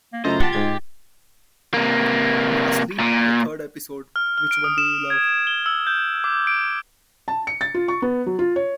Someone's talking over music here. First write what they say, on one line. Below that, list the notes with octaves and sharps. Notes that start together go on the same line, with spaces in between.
Lastly, the third episode, 'Which One Do You Love?
A#3
F#2 C#3 A3 F4 C5 D#5 A#5
G4 F#5 A5 A6
G#2 G#3 G#6
C3 A#3
A#2
F6
F6
D7
D#6
E7
G#6
G7
E6
G6
D6
D7
A5
C#7
A6
F4
C#6
B3
F#3
F4
C#5